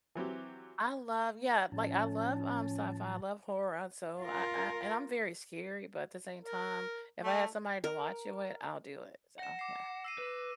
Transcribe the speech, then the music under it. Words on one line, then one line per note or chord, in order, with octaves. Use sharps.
I love yeah, like, I love, um, sci-fi, I love horror and so I I and I'm very scary, but at the same time, if I had somebody to watch it with, I'll do it, so yeah.
E3 F#3 C4 G4
A2 F3 C#4 A5
F4 A#4
A#4
A3
A#4
F#5 A#6 E7
D6 C7
E6 C7 D#7
B4